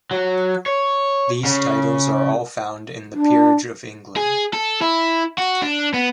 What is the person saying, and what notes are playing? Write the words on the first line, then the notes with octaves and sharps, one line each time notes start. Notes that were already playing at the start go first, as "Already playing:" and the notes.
These titles are all found in the Peerage of England.
F#3
C#5
C#3
D4
G#4
A4
E4
F#4
D4
B3